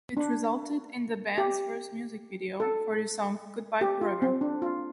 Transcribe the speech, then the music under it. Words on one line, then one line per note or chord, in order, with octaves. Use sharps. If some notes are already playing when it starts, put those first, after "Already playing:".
It resulted in the band's first music video, for the song "Goodbye Forever".
D4
G4
A4
G4
F4
C4
D4
F4